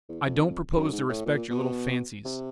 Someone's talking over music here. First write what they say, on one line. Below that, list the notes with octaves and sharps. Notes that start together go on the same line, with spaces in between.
I don't propose to respect your little fancies.
E2
F2
F#2
G#2
A2
A#2
B2
C3